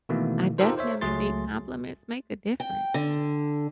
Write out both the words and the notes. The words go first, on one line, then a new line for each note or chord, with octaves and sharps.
I definitely think compliments make the difference.
B2 D#3 E3 A3 A#3
D#4 F4 G4 A4 A#4 C5
C5 C#5 E5
C#2 F#3 A3 G#4 C6 A6
G5
D3